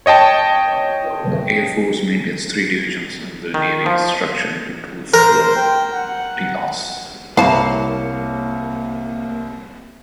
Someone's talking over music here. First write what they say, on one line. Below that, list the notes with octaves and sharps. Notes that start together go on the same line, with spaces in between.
The Air Force maintains three divisions and the Navy is structured into two flotillas.
C#5 D#5 G5 A5
D#3
F3
A#4 C5
G5
F#5
C2 A#3 E4 B4 C#5 F5 A5 A#5